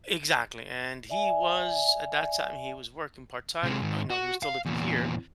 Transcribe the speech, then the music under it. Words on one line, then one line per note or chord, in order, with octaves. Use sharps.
Exactly, and he was at that time, he was working part-time. Y oh, no, he was still living here,
D5 E5 G#5
C3 G#3
G#2 D#3
F#4
F5
E2 A#2